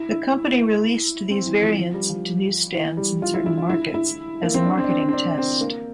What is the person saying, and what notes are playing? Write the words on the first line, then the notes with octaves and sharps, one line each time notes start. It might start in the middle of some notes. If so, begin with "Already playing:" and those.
The company released these variants to newsstands in certain markets as a marketing test.
Already playing: E4
E4
C4
E3
F3
F3
G3
F3
E3
G3
F4
E4
E4
F4
E4
E4
A#3
C4
D4
C4
D4
C4
D4
C4
D4
C4
A#3